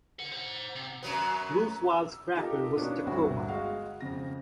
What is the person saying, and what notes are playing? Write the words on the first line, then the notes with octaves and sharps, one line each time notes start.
Loose-Wile's cracker was "Takhoma".
A4 F#5
C5 F#5
C3
F#2 F#3 B3
E6
D#4 F4 G4 A4 A#4
B2 A#3 B3 C#4 D4
G1 D2 F#4
G#3 F#4 F5
F2 C#3 A#6